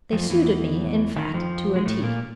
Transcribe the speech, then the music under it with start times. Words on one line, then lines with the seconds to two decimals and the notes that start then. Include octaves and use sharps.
They suited me, in fact, to a T.
0.12 F2 F3
0.30 E2 E3
1.16 D#3
1.34 F2 F3
1.76 G#3
1.86 A2 A3
2.03 A#2 A#3